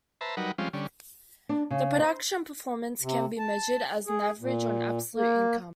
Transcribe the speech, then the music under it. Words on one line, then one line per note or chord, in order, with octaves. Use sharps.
The production performance can be measured as an average or an absolute income.
B4 C5 E5 A5 A#5
F#3 G3 D#4 A#4 B4 F#5
F3 G3 G#3 C4 C#4 F4
D3 G3 C#4
D4
C#3
C5
C3
A5
G#4
A#2
A#3